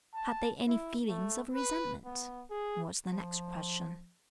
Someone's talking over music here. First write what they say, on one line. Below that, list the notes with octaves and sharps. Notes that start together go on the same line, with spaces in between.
"Had they any feelings of resentment?" was the next question.
A5
E4
A3
B4
B3
G#4
F3